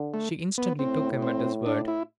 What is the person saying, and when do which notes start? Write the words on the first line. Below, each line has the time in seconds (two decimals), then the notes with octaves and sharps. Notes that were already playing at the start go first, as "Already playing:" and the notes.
She instantly took him at his word.
Already playing: D3
0.14 A3
0.58 B3
0.79 A2 C4
1.22 C4
1.66 D4
1.88 E4